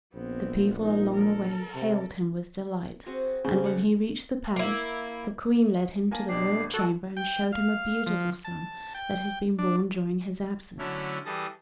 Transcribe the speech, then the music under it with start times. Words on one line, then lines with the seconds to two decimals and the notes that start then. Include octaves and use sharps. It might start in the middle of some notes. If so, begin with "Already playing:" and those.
The people along the way hailed him with delight; and when he reached the palace, the Queen led him to the royal chamber and showed him a beautiful son that had been born during his absence.
0.14 A#1 B3 C4
0.81 D#4
1.17 A4 A#4
1.74 C3
3.06 C4 F#4 G#4
3.45 C#3 A#3 C5
3.64 B2 F#5
4.56 A#3 E4
6.11 A#3 G#5 A5
6.29 B2 D4 G4 C7
6.60 G#1
6.74 F#4 A4 F#6
7.17 G5
7.53 F5
8.06 F3
8.45 A5
8.94 G5
9.58 D4
10.78 D3 F#3 A3 C#4 E4
11.25 E3 G3 G#4 A4 D#6 A#6